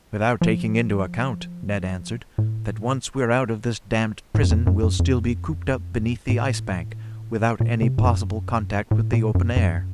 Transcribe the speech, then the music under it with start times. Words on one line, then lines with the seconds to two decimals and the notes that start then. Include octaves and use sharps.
"Without taking into account," Ned answered, "that once we're out of this damned prison, we'll still be cooped up beneath the Ice Bank, without any possible contact with the open air!"
0.41 F3
2.38 A2
4.35 A2
4.43 F#2
4.51 F2
4.67 F#2
4.83 F#2
4.99 F2
6.29 A2
7.60 A#2
7.82 C3
7.98 A2
8.04 F#2
8.91 A2
9.13 A#2
9.35 F#2
9.56 F#2